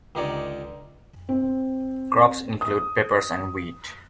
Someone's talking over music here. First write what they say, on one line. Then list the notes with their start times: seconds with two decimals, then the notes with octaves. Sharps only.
Crops include peppers and wheat.
0.15 C#2 D3 D#4 G4 C#5 D5
1.29 C4
2.61 D#6